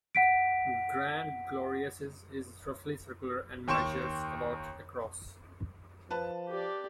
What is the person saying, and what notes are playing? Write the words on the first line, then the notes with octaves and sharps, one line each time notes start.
Grande Glorieuses is roughly circular and measures about across.
F#5 B6 D7
D#2 G5 C6 C#6 E7
F3 B4 A5
G4 D5